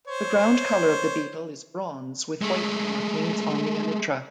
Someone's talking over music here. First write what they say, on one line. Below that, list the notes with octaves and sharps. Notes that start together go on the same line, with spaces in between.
The ground colour of the beetle is bronze with white markings on the elytra.
C5 C#5
G#3 A3